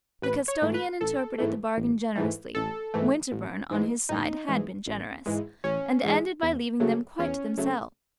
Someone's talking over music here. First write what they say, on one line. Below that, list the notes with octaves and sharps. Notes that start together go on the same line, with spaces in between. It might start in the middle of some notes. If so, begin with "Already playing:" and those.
The custodian interpreted the bargain generously--Winterbourne, on his side, had been generous--and ended by leaving them quite to themselves.
A1 B4
C#5
G#2 E3 A3
B4
A1 A4
G#2 E3 A3
A1
G#2 E3 A3
A1 A4
G#2 E3 A3
A1
G#2 E3 G#3
A1 D#4
G#2 E3 G#3
A1
G#2 E3 G#3
A1 C#4
G#2 E3 G#3
E2
C#3 F#3 A3
E2 C#4
C#3 F#3 A3